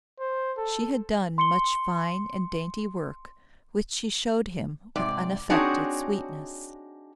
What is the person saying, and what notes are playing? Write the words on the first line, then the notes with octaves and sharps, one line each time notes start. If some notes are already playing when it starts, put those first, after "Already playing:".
She had done much fine and dainty work which she showed him with unaffected sweetness.
C5
A4
C6 C#7 G7
G#2 C3 D5
C4 D4 D#4 F#4 G#4 C#5